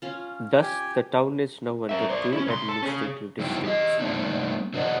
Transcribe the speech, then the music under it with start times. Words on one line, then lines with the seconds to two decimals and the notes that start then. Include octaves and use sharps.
Thus, the town is now under two administrative districts.
0.02 C#4 F4
0.61 G4 G5 G#5
1.89 A#4 E5
2.09 C5 D5
2.33 C#4 E4
2.47 C2 C6
2.69 A4
2.83 C#4 G#4
3.39 G3 D#4 E4 F#4 G#4 G5
3.65 G4 D#5
4.00 G3 A3 A#3 C4 D4 D#4
4.74 F#3 D4 B4 D5 D#5 F#5